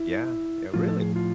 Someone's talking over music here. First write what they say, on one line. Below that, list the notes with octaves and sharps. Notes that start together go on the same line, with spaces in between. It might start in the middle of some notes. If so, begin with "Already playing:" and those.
Yeah, yeah, really,
Already playing: E4
A2 F3 F4
A4
G#4
F4